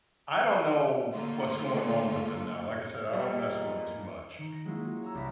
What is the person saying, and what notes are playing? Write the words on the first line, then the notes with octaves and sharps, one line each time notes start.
I don't know what's going on with them now, like I said, I don't mess with 'em too much,
D3 A3 A#3 F4
E2 A#2 G3 D#5
D#3
A#6
F#3 G#3 A#3 C#4 E4 F4
F#4
C#5 A#5 E6
C2 D5 E5 B5 A#6 B6